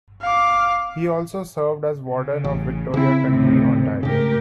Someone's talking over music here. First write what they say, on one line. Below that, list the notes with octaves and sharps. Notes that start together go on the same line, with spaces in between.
He also served as Warden of Victoria County, Ontario.
F5 D6
C#3
A1
C#3 C4 E4
D#2 A2 C3
G#2 C#3 A3 G4 A#4